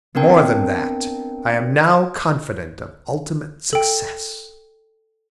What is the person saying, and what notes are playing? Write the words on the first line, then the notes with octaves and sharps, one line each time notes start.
"More than that, I am now confident of ultimate success."
B3 C4 D4 A#4 G5 A5
A4 G5